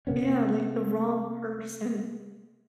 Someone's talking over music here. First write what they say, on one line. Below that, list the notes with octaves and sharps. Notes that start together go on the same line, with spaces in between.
Yeah, like the wrong person.
C3 A#3 B3 C#4